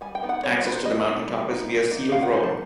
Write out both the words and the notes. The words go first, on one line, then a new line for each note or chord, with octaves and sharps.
Access to the mountain top is via sealed road.
G3 G#5
G5
B3 D#4
F#5
G3 C#5
C5
B3 D#4 B4
C5
G3 D#5
B3 D#4
G3
B3 D#4
F3
A#3 D#4
F3 F5
F#5
A#3 D#4 G#5
A5